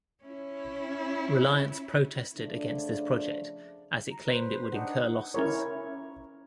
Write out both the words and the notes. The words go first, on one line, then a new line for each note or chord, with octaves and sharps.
Reliance protested against this project as it claimed it would incur losses.
C#4 E4
C#3 F3 A3 D4
A#5
B4 C5
D4 D#4 F#5
C#4 E4 A#4 C#5